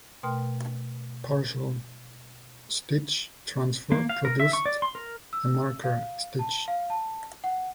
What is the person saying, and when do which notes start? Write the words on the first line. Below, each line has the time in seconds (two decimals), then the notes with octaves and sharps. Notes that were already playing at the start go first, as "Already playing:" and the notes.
Partial stitch transfer produced a marker stitch.
0.23 B2 A3 A#4 G5 C6 F6
3.92 A#3
4.09 F5
4.25 A#4
4.40 E5
4.53 C#6
4.66 D5
4.82 C6
4.95 A#4
5.33 E6
5.84 F5
6.39 A5
6.68 F5
6.90 A5
7.44 F#5